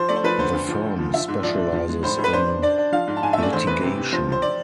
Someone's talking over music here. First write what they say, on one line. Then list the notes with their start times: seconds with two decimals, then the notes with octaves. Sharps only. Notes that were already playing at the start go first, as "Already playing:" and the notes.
The firm specializes in litigation.
Already playing: F3 C5
0.09 A3 D5
0.16 C5
0.24 F3 B4
0.39 D3 C5
0.53 D2
0.69 F3
0.84 D3
0.99 F3
1.14 F3 E5
1.28 G#2
1.43 F3 D5
1.58 F3
1.73 F3
1.89 G#3
2.03 A2 C5
2.19 A2
2.24 B4
2.32 D4 C5
2.48 D4
2.62 D4 D5
2.78 D4
2.92 F3 F5
3.07 G#2
3.17 A5
3.23 G#2 G#5
3.33 E5
3.38 A3 D5
3.53 E2 C5
3.67 E3 B4
3.83 C3
3.98 C3
4.12 F3 C5
4.27 F3 C5
4.42 D5